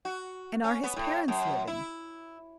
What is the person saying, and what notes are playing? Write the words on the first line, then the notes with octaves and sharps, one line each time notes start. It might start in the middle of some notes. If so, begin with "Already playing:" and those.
"And are his parents living?"
F#4
C#4
B3
A2
F#2
E4